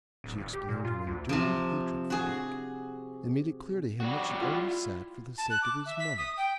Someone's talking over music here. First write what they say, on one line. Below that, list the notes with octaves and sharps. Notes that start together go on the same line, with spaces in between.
She explained her enduring hatred for Dick, and made it clear to him that she only sat for the sake of his money.
D1
G1
G4
A#2
F4
D2
C3 F3
F#4 G#4
G3 F#4
E4 F4
A5
F#6
D6
E5
B6
D#6
G5